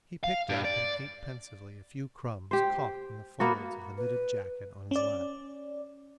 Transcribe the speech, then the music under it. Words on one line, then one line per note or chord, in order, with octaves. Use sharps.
He picked up and ate pensively a few crumbs caught in the folds of the knitted jacket on his lap.
F5
G2
D5
G4 C5
A#3 B3 F#4
B4
C#4 D5